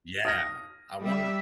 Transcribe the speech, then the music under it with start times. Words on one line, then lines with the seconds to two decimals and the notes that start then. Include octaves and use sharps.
Yeah! I wanna
0.25 D#6 F6 A#6
1.02 G3 E5